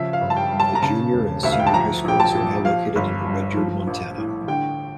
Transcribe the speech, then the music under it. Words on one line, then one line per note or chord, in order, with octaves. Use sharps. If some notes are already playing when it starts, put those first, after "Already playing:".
The Junior and Senior high schools are now located in Rudyard, Montana.
Already playing: C#3 F3 E5
F5
G1
A5
G5
G2
A5
A#5
C#3 A5
E1
D2 E5
F5
G5
A5
F3 A#5
A#1 G5
A5
A#2
F3 F5
G1
G2
F3
A#1
A2
D3 G5